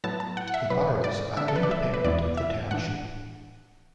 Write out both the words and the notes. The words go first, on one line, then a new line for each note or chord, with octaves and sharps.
The boroughs are independent of the township.
A2 F#3 B3 E4 A5
A5
F#5
F#5
E5
B2 F#3 D4 B4
D5
D3 B3 D4 E5
A4
B4
D5
E5
B4
E2 E3 B3 E4 D5
E5
A2 E3 D4 F#5